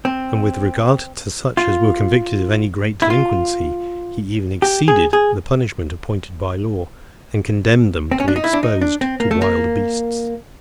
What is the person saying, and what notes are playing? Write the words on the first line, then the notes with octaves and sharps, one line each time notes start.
And with regard to such as were convicted of any great delinquency, he even exceeded the punishment appointed by law, and condemned them to be exposed to wild beasts.
C4
F4
E4
F4
G4
G#4
G#4
C4
C#4
D4
D#4
E4
D4
D#4
D4
C4
A#3
A3
A#3